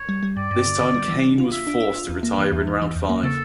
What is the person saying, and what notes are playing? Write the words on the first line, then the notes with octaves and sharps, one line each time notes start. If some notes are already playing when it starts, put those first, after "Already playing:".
This time Kane was forced to retire in round five.
Already playing: C#5
G3
G3
G2 D5
G2
D3
D3
G3
E3
D4
F4
F4 E5
D4
D4
F4
E2
A#3
E3
E2
E3
E3
E2
A#3
C#3 A4